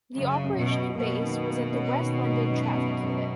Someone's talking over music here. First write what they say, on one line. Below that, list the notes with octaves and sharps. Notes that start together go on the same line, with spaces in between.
The operational base was at the West London Traffic Unit.
F#2 C#3
F#2
B2
F#2
B2 A#3
D#3
A#3
C#4
D#3
G#2
F#2
F#2
F#2